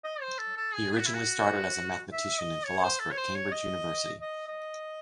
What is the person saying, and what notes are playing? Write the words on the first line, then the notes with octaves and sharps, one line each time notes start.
He originally started as a mathematician and philosopher at Cambridge University.
D#5
C5
A4
A4
G#4
G#4
F#4
E4
F#4
E5
D#5
C#5
C#5
C5
A4
C#5
C5
C#5
D#5
D#5
D#5